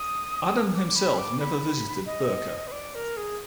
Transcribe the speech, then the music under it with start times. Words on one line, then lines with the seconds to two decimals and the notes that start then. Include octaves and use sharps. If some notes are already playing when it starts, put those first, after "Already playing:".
Adam himself never visited Birka.
Already playing: D#6
0.75 D6
0.95 B5
1.18 D6
1.40 B5
2.06 D#5
2.67 B4
2.72 D5
2.95 A#4
3.17 G#4